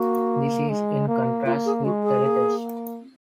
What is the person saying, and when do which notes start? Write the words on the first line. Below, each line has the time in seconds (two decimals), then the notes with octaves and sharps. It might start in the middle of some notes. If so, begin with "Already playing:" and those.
This is in contrast with teletext.
Already playing: A#3 F#4
0.69 G#3
1.07 A#3
1.46 A#3 F4
1.66 G#4
1.84 G#3 F#4
2.03 G#4
2.23 A#3